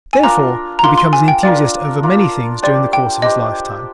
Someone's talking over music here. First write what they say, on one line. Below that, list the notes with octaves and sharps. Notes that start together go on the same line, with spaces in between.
Therefore he becomes an enthusiast over many things during the course of his lifetime.
G#5
D4 F4 A#4 A#5
A#5
D4 F4 A#4 C6
C6
G#5
G5
D4 F4 A#4 D5
D4 F4 A#4
D4 G4 C5 D5
G5
D4 G4 C5 D#5